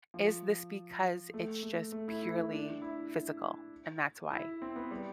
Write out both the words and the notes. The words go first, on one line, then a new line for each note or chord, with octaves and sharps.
"Is this because it's just purely physical?" And that's why
F3
A3
A3
A3
E4
E4
E4
D4
E4
E4
C4
B3
G3